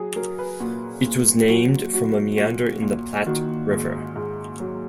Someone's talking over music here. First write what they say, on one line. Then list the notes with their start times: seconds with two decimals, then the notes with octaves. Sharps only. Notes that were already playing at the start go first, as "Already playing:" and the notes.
It was named from a meander in the Platte River.
Already playing: F#3 G#4
0.16 F#3 A#4
0.39 B4
0.60 A#2 F#4
1.05 A#2
1.49 F#3 F#4
1.93 F#3 F#4
2.37 A#2 F#4
2.82 A#2
3.26 D#3 F#4
3.71 G#2
4.15 G#2
4.60 F#3